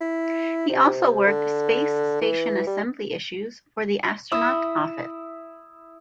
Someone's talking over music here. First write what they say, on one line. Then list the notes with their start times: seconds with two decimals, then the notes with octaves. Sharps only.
He also worked Space Station assembly issues for the Astronaut Office.
0.01 E4
0.69 C3
1.27 D3
2.21 E3
2.67 G3
4.32 E4 B5 D#6 E6